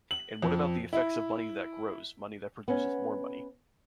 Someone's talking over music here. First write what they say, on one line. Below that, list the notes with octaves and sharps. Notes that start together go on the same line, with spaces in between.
And what about the effects of money that grows, money that produces more money?
F#7
F2
E4
B3 C#4